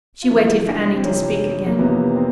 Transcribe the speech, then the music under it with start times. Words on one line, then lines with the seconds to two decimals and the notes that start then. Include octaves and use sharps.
She waited for Annie to speak again.
0.22 F4
0.30 F1 F2 C3 E3 E4
0.67 D4
0.95 C4
1.03 F1 F2 C3 E3 C#4
1.66 A#3
1.79 F1 F2 C3 E3 B3
2.16 C4